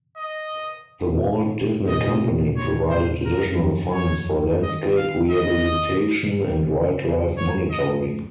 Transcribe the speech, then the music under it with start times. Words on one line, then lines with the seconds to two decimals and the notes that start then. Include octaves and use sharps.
The Walt Disney Company provided additional funds for landscape rehabilitation and wildlife monitoring.
0.17 D#5
1.09 A#2
1.19 G#2
1.88 A#2 D#5
1.96 C3
2.05 A#2
2.13 C3
2.21 A#2
2.57 G#2 C#5
2.90 C5
3.25 F#2 A#4
3.35 F2
3.44 F#2
3.54 F2
3.60 F#2
3.88 F#2
3.93 F2 C#5
4.63 D#3 D#5
4.97 F5
5.31 D#5
6.69 C#3
7.22 F2
7.29 F#2
7.37 G#2 C#5
7.71 D#5
7.98 F2